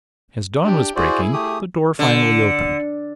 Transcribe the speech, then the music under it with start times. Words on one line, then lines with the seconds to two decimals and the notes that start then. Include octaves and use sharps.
As dawn was breaking, the door finally opened.
0.63 D4 G4
0.96 E4 F#4 G#4 C5 D5
1.33 A3 G4 D#6
1.99 D3